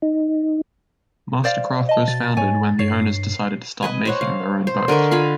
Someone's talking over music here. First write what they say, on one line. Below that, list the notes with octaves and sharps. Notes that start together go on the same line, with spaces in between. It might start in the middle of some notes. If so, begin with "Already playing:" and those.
MasterCraft was founded when the owners decided to start making their own boats.
D#4
C5 D5 F5
D#5 A5
B2 A6
G#2 C#5 G#5
G2 C#5 C7
B4 D#5 G#5
C5 C#5 F#5
F5
C5
D3 A#4 D#5 C#6
F4 F5 G#5 B5